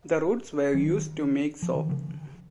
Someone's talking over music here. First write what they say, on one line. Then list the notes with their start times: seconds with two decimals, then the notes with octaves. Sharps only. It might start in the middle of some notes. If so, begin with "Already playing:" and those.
The roots were used to make soap.
0.74 D#3 F#3
1.63 F3
1.75 D#3
1.89 C#3 F3